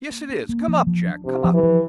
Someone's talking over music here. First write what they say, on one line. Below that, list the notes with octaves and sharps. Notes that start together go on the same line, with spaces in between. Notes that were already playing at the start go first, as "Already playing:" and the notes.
Yes, it is. Come up, Jack; come up.'
A#3
D4
A#3
F3
F3
D4
C3 D4
F3
E3
F3